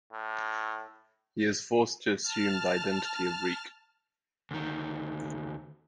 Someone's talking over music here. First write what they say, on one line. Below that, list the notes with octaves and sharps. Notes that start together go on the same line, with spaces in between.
He is forced to assume the identity of Reek.
A2
A5 F6
D2 D#3